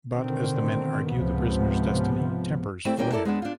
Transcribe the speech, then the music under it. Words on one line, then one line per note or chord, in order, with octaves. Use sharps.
But as the men argue the prisoner's destiny, tempers flare.
B2 D3 D#3 C4
C#2 G#2 C3 F3 B3
A3 C4 E4 G4 D5
E2 G3 A#3 C#4 D5 G5
E4 A4 A#4 D5
G#3 B3 D4
D4 F4